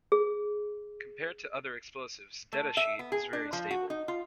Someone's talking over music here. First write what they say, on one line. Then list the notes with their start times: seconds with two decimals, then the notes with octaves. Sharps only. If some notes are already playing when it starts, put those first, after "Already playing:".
Compared to other explosives detasheet is very stable.
0.12 G#4
2.53 A3
2.77 E5
2.99 B3
3.12 G#4
3.33 D4
3.53 F3
3.71 F#4
3.90 D#4
4.08 F4